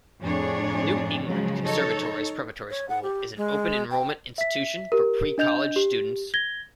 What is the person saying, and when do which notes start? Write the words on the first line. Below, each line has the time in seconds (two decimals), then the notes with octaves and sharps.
New England Conservatory's Preparatory School is an open-enrollment institution for pre-college students.
0.21 F2 A2 D4 G#4 C#5
1.26 C#3 F3 F#3 G#3
1.65 D#4 A4 C#5
2.70 C#5
2.89 F#5
3.03 G4
3.37 G#3
3.91 G5
4.38 E5 B6
4.92 G4 A#4
5.38 D4 D#5 G6 F7
5.76 G4
6.34 G#6 A#6 G7